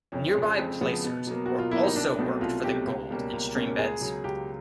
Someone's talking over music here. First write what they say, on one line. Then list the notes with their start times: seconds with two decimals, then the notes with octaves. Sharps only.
Nearby placers were also worked for the gold in stream beds.
0.12 F2 C#4
0.35 C#3 F3 G#3
0.58 F2 C4
0.81 C#3 F3 G#3 B3
1.04 B2
1.27 F#3 A#3
1.46 B2 F#4
1.58 F4
1.71 F#3 A#3 E4
1.83 D#4
1.96 C2 D4
2.18 B2 F#3 A3 B3 C4
2.41 C2 F4
2.64 B2 F#3 A3 C4 G4
2.87 C#2
3.10 B2 G3 A#3 C#4
3.33 C#2
3.55 B2 G3 A#3 C#4
3.78 C#2 G#4
4.01 C#3 F#3
4.24 C#2 G4